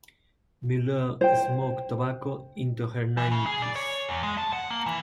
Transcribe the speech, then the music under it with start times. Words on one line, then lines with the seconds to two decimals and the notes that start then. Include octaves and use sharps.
Meilleur smoked tobacco into her nineties.
1.21 C5 G5
3.17 E3
3.32 C#3
3.46 G#4
3.62 D5
3.76 C#5
4.09 E2
4.23 G#3
4.38 A5
4.53 F#5
4.70 A#3
4.86 E3